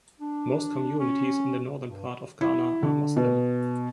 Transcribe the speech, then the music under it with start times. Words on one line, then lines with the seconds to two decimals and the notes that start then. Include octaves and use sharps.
Most communities in the Northern part of Ghana are Muslim.
0.20 D4
0.98 C#4
1.88 G2
2.41 E4
2.83 D3
3.17 B2